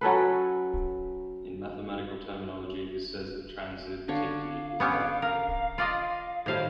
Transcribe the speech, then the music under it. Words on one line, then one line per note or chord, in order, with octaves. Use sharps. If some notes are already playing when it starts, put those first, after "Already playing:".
In mathematical terminology, this says that transitivity is violated.
F#3 C#4 A4 B4
D3 D4 C#5 F5
B3 C#4 G4
A#4
F4 D5 D#5
A2 D#3 G3 C5 F5